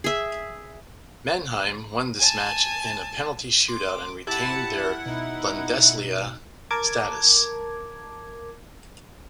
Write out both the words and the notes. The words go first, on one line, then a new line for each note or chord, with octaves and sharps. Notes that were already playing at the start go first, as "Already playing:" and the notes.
Mannheim won this match in a penalty shootout and retained their Bundesliga status.
G#4 E5
G#5 A5
C6 D6
E4 G4 F#5 A5
B2 D#4
A#4 A5 D6 G#6